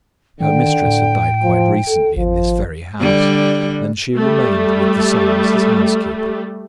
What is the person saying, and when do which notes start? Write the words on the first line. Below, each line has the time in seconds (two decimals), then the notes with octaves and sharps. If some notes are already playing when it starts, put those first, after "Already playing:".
Her mistress had died quite recently in this very house, and she remained with the son as his housekeeper.
0.40 D3 D#3 G5
0.85 A2
1.44 F3
1.88 A4
2.16 G#1 F3
2.99 D3 G3
4.15 G3 A3